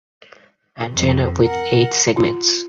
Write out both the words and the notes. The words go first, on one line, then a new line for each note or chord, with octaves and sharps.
Antenna with eight segments.
F2
A#4 F#5
F4